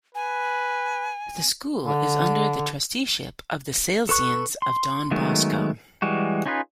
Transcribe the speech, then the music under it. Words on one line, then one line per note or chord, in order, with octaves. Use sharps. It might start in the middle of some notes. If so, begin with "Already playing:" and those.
The school is under the Trusteeship of the Salesians of Don Bosco.
B4 G#5
D3
A4 B4 C#6 F#6
C6
D#3 F#3 G#3 A3 B3
E3 G3 G#3 F#4
C#4 D#4 F4 G#4 B4